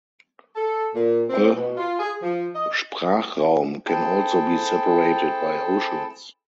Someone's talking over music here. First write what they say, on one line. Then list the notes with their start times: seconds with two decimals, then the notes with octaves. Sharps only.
A sprachraum can also be separated by oceans.
0.55 A4
0.94 A#2
1.29 C4
1.55 B2
1.77 F4
1.99 G#4
2.22 F3
2.55 D#5
3.87 C4 E4 G#4 A4 G5 A5